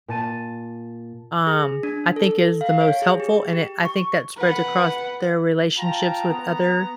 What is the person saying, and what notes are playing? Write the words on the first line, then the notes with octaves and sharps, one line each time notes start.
um, I think is the most helpful and it I think that spreads across their relationships with other,
A#2 A5 D#7
G#4
D4
A4
F5
C#5
G#4
G4
G4
C#6
B4 F#5
F4 G5 A5 A#5
B3 A#5